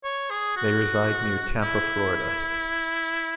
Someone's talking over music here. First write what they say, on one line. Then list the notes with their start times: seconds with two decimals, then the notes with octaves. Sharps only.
They reside near Tampa, Florida.
0.04 C#5
0.30 G#4
0.57 F#4
1.62 E4